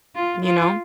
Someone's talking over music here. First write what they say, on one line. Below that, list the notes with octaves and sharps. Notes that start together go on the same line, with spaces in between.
you know?
F4
F4